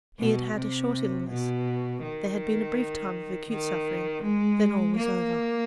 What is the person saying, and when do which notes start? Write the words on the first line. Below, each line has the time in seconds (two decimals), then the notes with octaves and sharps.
He had had a short illness, there had been a brief time of acute suffering, then all was over.
0.19 B2
0.56 C3
1.30 B2
2.03 D#3
3.50 D#3
4.23 G#3
4.97 A#3